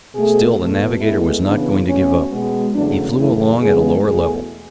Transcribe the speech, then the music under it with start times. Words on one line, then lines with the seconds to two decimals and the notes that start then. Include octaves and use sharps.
Still the navigator was not going to give up. He flew along at a lower level.
0.14 B2 A3 G#4
0.58 E2 B2 A3
1.01 A2 G#3 B3 E4
1.45 C#3 E3 B3 D4
1.88 B2 A3 C#4
2.31 B2 G#3 B3
2.74 E2 C#3 F#3 A3 D4
3.18 F#2 C#3 E3 A3 E4
3.61 E2 C#3 E3 G#3 B3 G#4
4.04 E2 B2 A3 G#4